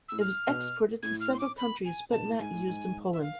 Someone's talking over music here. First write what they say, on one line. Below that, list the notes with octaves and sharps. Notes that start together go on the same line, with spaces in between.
It was exported to several countries, but not used in Poland.
A2 E6
F6
B2
A2 G#6
F6
C6
D6
B5
G#5
B2 A5
A2
G#2 G#5
A2
G#2
E5
F5